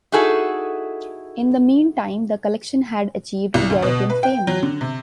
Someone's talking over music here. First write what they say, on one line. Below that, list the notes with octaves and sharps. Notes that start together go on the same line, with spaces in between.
In the meantime the collection had achieved European fame.
D#4 E4 F#4 G#4 A4
C2
D2
B2
B4
G5
F#3
D3
C3